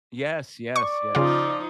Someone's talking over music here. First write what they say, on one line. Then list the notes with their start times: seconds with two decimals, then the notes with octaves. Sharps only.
Yes, yes, yes.
0.76 D5 C#6
1.15 C#3 F3 D#4 F4